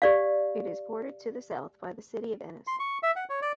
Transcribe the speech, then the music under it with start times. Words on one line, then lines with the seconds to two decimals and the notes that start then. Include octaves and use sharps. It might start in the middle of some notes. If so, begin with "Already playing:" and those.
It is bordered to the south by the city of Ennis.
0.02 G4 D5 F5
2.67 C6
2.79 C#6
3.03 E5
3.16 F#5
3.29 C#5
3.42 D5